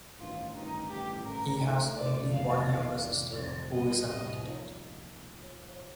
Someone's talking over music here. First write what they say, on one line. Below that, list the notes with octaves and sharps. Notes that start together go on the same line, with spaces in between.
He has only one younger sister who is an architect.
A1 G2 D#3 F4
A1 G2 D#3 D#4
A1 G2 D3 G4
A1 G2 D3 A#4
A#1 A#2 A3 D#4 A4
A#1 A#2 A3 D#4 A4 D5
F2 C3 D#3 A3 D#4 F5
F2 C3 D#3 A3 D#4 F5
F1 F2 D#3 D5
F1 F2 D#3 C5
C2 C3 G3 A#3 D#5
C2 C3 G3 A#3 D#5
A#2 F3 A#3 D#4